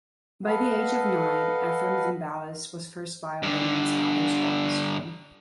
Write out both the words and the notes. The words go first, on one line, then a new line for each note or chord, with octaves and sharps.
By the age of nine, Efrem Zimbalist was first violin in his father's orchestra.
A4 B4 D#5 F5 F#5
G2 D3